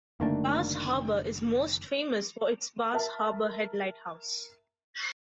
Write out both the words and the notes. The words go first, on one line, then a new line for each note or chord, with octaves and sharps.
Bass Harbor is most famous for its Bass Harbor Head Lighthouse.
F#1 D3 D#3 A3 A#3 D4
A#4 E5 A5